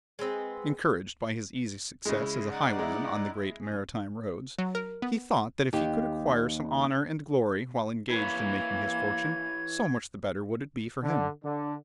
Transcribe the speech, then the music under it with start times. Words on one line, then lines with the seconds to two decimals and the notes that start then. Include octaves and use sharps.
Encouraged by his easy success as a highwayman on the great maritime roads, he thought that if he could acquire some honour and glory while engaged in making his fortune, so much the better would it be for him.
0.19 G#3 B3 C4 D#5
2.05 C#3 G#3 E4
2.51 D#4 D5 F#5
2.79 G#3 E4
3.60 F#2 G#4
4.59 F#3
4.75 A#4
5.02 B3
5.73 D#2 G4
8.10 A#3 E4 B4 C#5 G#6
11.03 D3
11.44 D3